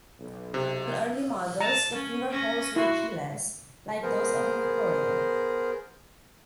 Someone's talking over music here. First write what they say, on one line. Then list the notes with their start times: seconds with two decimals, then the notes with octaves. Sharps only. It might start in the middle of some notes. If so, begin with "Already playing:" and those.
On early models, the fingerholes were keyless, like those of a recorder.
0.20 B1
0.54 C3
1.61 A5 A#5
1.95 C#4
2.30 C#4 A#6
2.76 E4 F#4 C6
4.03 B3 G#4 A#4 C5